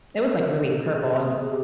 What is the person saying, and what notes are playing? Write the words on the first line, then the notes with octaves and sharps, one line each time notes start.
it was like really purple and
A#4
A4
G#4
G4